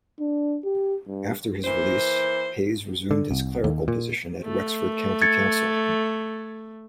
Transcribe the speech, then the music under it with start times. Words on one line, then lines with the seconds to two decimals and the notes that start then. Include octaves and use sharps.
After his release, Hayes resumed his clerical position at Wexford County Council.
0.20 D4
0.64 G4
1.07 G2
1.65 E3 A#3 C5
3.11 D3
3.31 C2
3.64 D#2
3.88 A#2
4.44 A3
5.22 G#6 A6 C#7